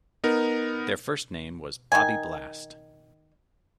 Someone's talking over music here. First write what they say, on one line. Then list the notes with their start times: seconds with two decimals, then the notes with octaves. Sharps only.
Their first name was "Bobby Blast".
0.24 B3 D#4 A#4
1.92 D#3 G#5